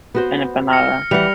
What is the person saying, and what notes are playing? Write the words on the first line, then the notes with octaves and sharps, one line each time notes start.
an empanada?
B3 F#4 C5
F6 A#6 C#7
E3 G3 F#5 F7